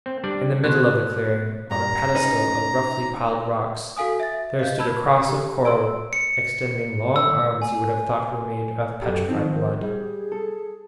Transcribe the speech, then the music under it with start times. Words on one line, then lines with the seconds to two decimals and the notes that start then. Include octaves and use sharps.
In the middle of the clearing, on a pedestal of roughly piled rocks, there stood a cross of coral, extending long arms you would have thought were made of petrified blood.
0.06 C4
0.24 G3 D4 D5
0.64 B2 C5 F#6
1.71 G2 A#5
2.15 C#4 D#4 B4
3.97 F#4 A4 F5 G#5 D#6
4.20 E5 A6
4.59 D#5 F5 G6
4.79 A5 B5 E6 G#6
5.28 G4
5.65 A4 C6 E6 D7
6.13 C#7
7.16 E6
7.62 G#5
9.02 F#2 G4 A4
9.28 D#3 F3 C4 D#4
9.54 A#4
9.81 G3 G#4
10.32 A4